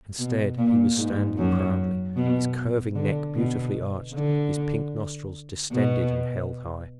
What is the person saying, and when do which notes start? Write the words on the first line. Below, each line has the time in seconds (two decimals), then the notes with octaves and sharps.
Instead he was standing proudly, his curving neck beautifully arched, his pink nostrils distended and held high.
0.19 B2
0.58 A#2
0.98 G#2
1.38 F#2
2.16 B2
2.95 D3
3.35 B2
4.14 D3
5.72 B2